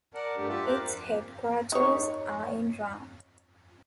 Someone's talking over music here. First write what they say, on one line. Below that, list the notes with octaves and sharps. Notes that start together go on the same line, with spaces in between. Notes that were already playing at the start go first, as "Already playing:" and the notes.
Its headquarters are in Rome.
A#4 D5 F#5 A5
G2 G3 A3 D4 G4
F4 G4 E5 A5
G4 A#4 C5 D6 F#6
D#4 C#5